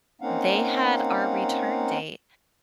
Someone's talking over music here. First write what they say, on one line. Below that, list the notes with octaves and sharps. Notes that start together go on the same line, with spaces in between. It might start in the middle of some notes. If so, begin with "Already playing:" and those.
they had our return date
A#3 C4 C#4 D#4 F5 F#5